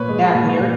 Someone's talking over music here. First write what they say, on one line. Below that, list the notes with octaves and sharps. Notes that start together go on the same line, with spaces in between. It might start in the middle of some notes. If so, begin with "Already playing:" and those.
Isn't that weird?
Already playing: A#2 B4 C#5
G#3
A#2
A#2